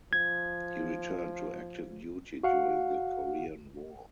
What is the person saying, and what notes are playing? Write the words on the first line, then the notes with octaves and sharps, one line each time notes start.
He returned to active duty during the Korean War.
F3 G#6
F#4 F5 F#5